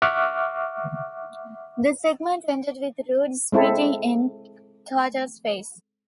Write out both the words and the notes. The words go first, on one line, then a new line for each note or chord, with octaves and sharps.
The segment ended with Roode spitting in Carter's face.
E5 F#5 C#6 D6 F6 F#6
G#3 C4 E4 A4